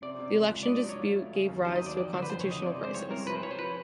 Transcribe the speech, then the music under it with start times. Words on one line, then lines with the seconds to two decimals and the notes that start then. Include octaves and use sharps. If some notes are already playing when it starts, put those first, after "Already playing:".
The election dispute gave rise to a constitutional crisis.
0.02 C3 D5
0.19 C3
0.35 F3
0.51 C#2
0.63 D5
0.67 D4 D#5
0.78 D5
0.84 F#3
0.89 C#5
1.00 F4
1.17 A3
1.33 C#3
1.49 D#2
1.65 F#3 C5
1.76 D#2 D#5
1.86 D5
1.96 F2 D5
2.13 D3 C5
2.22 B4
2.30 F2 C5
2.40 C#5
2.46 D3
2.51 D#5
2.62 C3 D5
2.78 G#3
2.84 C5
2.94 C2 C#5
3.10 C3 A#4
3.26 F3 B4
3.35 C5
3.43 F3 C#5
3.51 C5
3.59 F3 B4